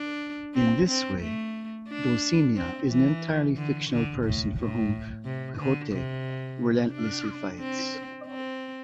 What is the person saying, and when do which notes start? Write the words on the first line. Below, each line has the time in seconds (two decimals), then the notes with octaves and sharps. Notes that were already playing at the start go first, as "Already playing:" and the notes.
In this way, Dulcinea is an entirely fictional person for whom Quixote relentlessly fights.
Already playing: D4
0.55 C4
0.88 C4
1.21 A3
1.88 D4
2.56 C4
2.89 E3
3.56 D3
3.90 D3
4.24 A2
4.57 A2
5.24 C3
5.58 D3
5.92 C3
6.92 D4
7.60 C4
8.27 C4